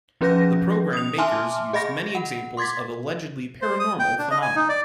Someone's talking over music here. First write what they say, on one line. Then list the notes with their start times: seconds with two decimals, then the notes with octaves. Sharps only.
The programme makers used many examples of allegedly paranormal phenomena.
0.21 F3 C#4 G#4 B4 G6 A#6
0.93 D#6 F7
1.18 E5 G#5 A5 C6 D6 F6
1.73 G#4 D#5 B5 A#6
2.15 F#5
2.57 C6 D6 G#6 A6 B6
3.62 C5
3.80 D#6
3.99 G5
4.19 D4
4.31 D#5
4.42 G#5
4.56 D#4
4.69 D5